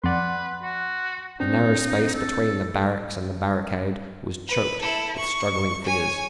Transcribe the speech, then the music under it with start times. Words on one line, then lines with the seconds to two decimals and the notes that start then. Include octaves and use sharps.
The narrow space between the barracks and the barricade was choked with struggling figures.
0.04 F2 B4 D5 F#5 C6
0.63 F#4
1.40 C4 D4 D#4
2.14 A4
4.48 B4
4.82 E4 A4
5.16 C#6
5.85 C#5 G#5